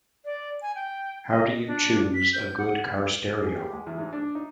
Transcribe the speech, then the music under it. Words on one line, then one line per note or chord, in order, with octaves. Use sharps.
How do you choose a good car stereo?
D5
G#5
G5
D#5
D4
B6
G6
F#5
G#4
G4
G#3
E2
G#2
D4
D#4